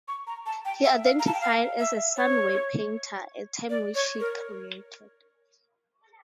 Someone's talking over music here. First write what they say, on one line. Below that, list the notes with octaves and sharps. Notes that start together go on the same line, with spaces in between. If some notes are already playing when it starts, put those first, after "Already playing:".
He identified as a "sunway"-painter, a term which he created.
C#6
A#5
A5
G5
E5
F5
A#5
A5
G5
F5
E5
C#5
D5
C#5
A#4